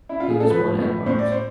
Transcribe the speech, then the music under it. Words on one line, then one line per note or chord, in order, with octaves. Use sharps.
He was born at Reims.
E4
F4
G#4
A4
F3 B4
A2
A2 C5
D5
C5